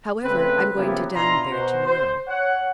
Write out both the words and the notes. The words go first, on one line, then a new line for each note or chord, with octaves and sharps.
"However, I'm going to dine there to-morrow."
C#3 A3 C4 D4 B4
C#3 F3 A#3 B3 E4 G4
B2 D4 E4 F4 A#5 C6
B2 F#4 C5
C5
C#5 F#5